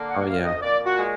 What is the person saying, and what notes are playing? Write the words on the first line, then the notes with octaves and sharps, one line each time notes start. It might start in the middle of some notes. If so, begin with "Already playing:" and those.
Oh, yeah.
Already playing: D3 A#3
F#5
F#5
D2 F5
D#5
A#2 D5
F#4
G#3